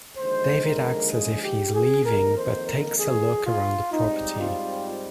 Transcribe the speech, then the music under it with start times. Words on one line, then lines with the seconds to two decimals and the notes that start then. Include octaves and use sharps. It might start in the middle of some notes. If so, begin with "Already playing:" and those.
David acts as if he is leaving but takes a look around the property.
0.17 D#2 D3 F3 G#3 C5
0.65 A#4
1.12 G#4
1.43 G4
1.75 G#4
2.05 F2 D#3 A#3 A#4
2.37 C5
2.67 A#4
2.99 G#4
3.46 F4
3.92 G#2 G3 C4 D#4
4.39 F4